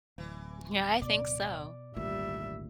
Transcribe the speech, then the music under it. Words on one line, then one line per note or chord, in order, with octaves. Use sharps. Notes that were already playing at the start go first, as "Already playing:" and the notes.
Yeah, I think so.
D1 E3
B2 D5
G#1 D2 A#2 G3 E4 E5